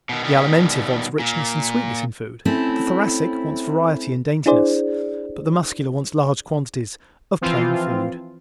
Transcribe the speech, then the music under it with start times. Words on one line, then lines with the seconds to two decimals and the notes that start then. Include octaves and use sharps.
The Alimentive wants richness and sweetness in food, the Thoracic wants variety and daintiness but the Muscular wants large quantities of plain food.
0.09 B2 D#3
0.24 B2 D#3 G3
1.20 A#2
2.45 A3 C4 C#4 E4
4.46 D4 E4 G#4 C5 D5
7.41 E3 F3 C4 F4